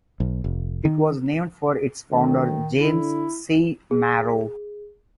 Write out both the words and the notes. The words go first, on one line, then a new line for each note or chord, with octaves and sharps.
It was named for its founder, James C. Morrow.
B1
F1
D#3
D2 D#3
D3 E4
G#4